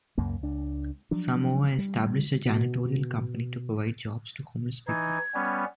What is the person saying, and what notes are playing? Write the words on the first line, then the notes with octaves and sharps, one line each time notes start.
Samoa established a janitorial company to provide jobs to homeless people.
C#2 F#2 C#3 A#3
C#2 D4
F3 F#3 D4
G3
B2
E3 D#4 G#6
G3 B3 C#4